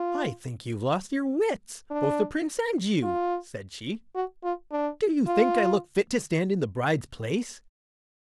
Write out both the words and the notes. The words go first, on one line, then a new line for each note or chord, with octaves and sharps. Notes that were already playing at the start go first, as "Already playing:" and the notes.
'I think you've lost your wits, both the Prince and you', said she. 'Do you think I look fit to stand in the bride's place?
Already playing: F4
D4
F4
F#4
F4
D4
F4